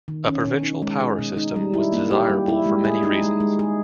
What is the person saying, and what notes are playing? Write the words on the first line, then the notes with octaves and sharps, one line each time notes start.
A provincial power system was desirable for many reasons.
D#3
C#4
B2
D#4
G#3
G#4
B2
D#4
G3
E4
A#3
G4
G3
E4
G#3
G#4
D#4
G#3
G#3
G#4